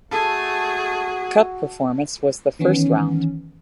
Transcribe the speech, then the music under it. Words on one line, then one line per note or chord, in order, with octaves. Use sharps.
Cup performance was the first round.
A3 F#4 G#4 A4
D#3 E3 B3 C#4